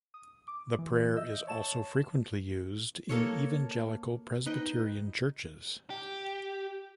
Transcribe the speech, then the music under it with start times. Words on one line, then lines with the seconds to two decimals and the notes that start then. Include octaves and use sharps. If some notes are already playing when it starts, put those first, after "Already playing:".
The prayer is also frequently used in evangelical Presbyterian churches.
0.14 D#6
0.48 D6
0.78 E3
1.16 D#5 E5 E6 G6
1.47 C#5 A5 E7
3.09 A#3 A4 C#5
4.46 D#4 B4 D#5 G5
5.90 G4